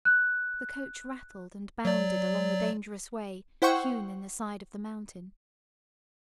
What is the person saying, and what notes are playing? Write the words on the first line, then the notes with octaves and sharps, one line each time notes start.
The coach rattled and bounded along the dangerous way hewn in the side of the mountain.
F#6
F#3 D5
E4 C5 F#5 G5 C#6